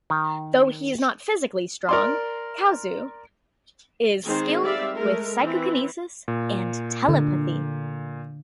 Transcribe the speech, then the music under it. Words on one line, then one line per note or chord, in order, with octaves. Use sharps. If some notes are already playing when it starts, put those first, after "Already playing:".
Though he is not physically strong, Chaozu is skilled with psychokinesis and telepathy.
D#3
A#4 D5 C6
D#3 G#3 C4 D#4 G#4 C5
G3 C4 D5 E5 F5
G#3 A3 A#4
E3 C4
A#2
D3